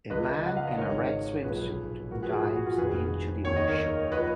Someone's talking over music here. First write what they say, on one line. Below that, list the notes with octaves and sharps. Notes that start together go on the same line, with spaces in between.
A man in a red swimsuit dives into the ocean.
C#2 C#3 F3 B4 D#5
F#5
F5
D#5
G#1 G#2 D#3 A#4 C#5
B1 A#2 F3 G#4 B4
A#1 G#2 F3 F#4 A#4
G#4 B4
F4 G#4
F#4
F#4
F4
F1 F2 D#3 G#4 B4
D#2 D#3 C#5
D#5
A#4 C#5
F3 B4 D#5